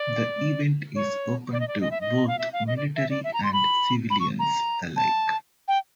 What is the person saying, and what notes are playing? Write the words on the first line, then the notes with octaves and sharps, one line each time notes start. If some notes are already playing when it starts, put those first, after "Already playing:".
The event is open to both military and civilians alike.
Already playing: D5
C#5
D5
D#5
D5
D#5
E5
D#5
F5
E5
F5
D#5
D5
E5
D5
E5
A#5
C6
B5
B5
C#6
A#5
A5
G5